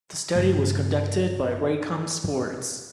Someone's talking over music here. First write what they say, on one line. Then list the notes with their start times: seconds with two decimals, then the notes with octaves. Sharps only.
The study was conducted by Raycom Sports.
0.36 G2 C#3 E3 A3